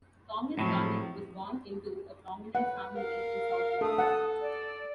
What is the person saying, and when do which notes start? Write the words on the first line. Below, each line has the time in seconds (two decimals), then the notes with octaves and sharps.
Thomas Garnet was born into a prominent family in Southwark.
0.59 F2 A2 F3 F#3
2.55 B4 F#5
2.96 A#4 F5
3.81 A3 A4 D#6
3.98 A4 F#5 A5
4.41 D5